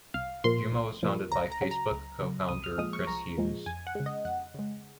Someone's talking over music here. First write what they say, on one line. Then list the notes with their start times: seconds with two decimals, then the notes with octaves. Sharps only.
Jumo was founded by Facebook co-founder Chris Hughes.
0.14 C2 F5
0.44 A#2 F3 A#3 C6
0.73 C2
1.03 A#2 F3 A#3
1.32 C#2 A#5
1.52 A#5
1.61 C#3 F#3
1.71 A#5
1.91 C#2
2.19 C#3 F#3
2.49 C2 D#6
2.64 F6
2.78 A#2 F3 G#3 D#6
2.93 C#6
3.07 C2 A#5
3.38 A#2 F3 G#3
3.66 F2 G#5
3.87 F#5
3.95 C#3 G#3
4.06 D#5
4.25 F2 F#5
4.54 C#3 G#3